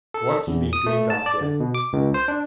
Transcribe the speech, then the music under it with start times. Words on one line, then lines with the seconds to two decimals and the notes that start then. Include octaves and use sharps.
"What you been doing down there?"
0.14 A4
0.47 E2
0.73 D#6
0.86 A3
1.10 A5
1.26 D5
1.41 D3
1.60 B2
1.75 D6
1.93 C#2
2.14 C5
2.28 D4